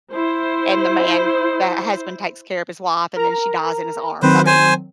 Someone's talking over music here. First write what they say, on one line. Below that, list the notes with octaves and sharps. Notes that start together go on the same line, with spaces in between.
and the man the, uh, husband takes care of his wife, and then she dies in his arms. I mean,
E4 C5
A#4 A#5
D#3 F#3 C4 B4 C5
C5 G#5